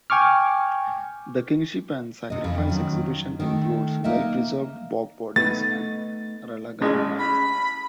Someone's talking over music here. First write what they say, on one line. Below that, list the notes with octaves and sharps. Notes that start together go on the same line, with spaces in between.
The Kingship and Sacrifice exhibition includes well preserved bog bodies and Ralaghan Man.
G5 G#5 C#6 D6 F6
C3 D#5
F2 E3
D#3 F#3 C#4
D#3 A3
A#3 D#4 D#5 E5
A3 B3 D#4 A6
A1 G#3 C#4 E4 G#5
B5